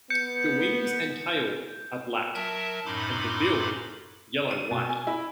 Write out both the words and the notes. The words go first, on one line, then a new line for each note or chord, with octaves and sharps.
The wings and tail are black and the bill yellow-white.
B3 G6 C#7
F#3 A#4 E5 A5
F#2 A2 D#4 B5 C6 D6
D#7
B2
G#5
E4